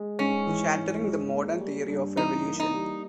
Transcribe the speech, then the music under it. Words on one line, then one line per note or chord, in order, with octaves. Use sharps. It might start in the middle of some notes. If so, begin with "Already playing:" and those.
Shattering the Modern Theory of Evolution.
Already playing: G#3
G#2 C#4
E3
G#2
G#3
A#3
G3
G2
E3 D#4
A#3
D#4
G3